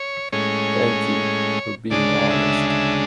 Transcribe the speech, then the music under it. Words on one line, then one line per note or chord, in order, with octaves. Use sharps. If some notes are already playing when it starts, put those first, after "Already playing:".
Thank you for being honest.
Already playing: C#5
A2 G#3 C#4 C#5
D2 C#3 G#3 D4 D5
E5
E5